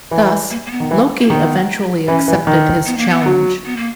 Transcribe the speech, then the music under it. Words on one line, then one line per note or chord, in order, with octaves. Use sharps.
Thus, Loki eventually accepted his challenge.
E3
A#3
A#3
B3
D#3
E3
A#3
D#3 B3
E3 C#4
E3
D#3
B3
A#3
B3
F#3
B3
A#3